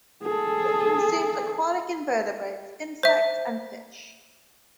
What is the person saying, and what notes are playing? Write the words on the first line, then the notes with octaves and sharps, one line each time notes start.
It consumes aquatic invertebrates, insects, and fish.
G#4 A4
C5 E5